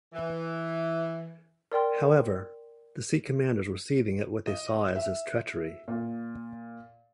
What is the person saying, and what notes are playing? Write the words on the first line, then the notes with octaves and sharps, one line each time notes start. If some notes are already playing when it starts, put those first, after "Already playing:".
However, the Sikh commanders were seething at what they saw as his treachery.
E3
A#4 D5 G5 C6
D#5
E5
A#2